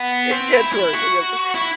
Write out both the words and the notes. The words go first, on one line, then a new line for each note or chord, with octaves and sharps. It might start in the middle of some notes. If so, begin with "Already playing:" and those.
It gets worse, It gets wor
Already playing: B3
C4
E4
E4
F#4
E4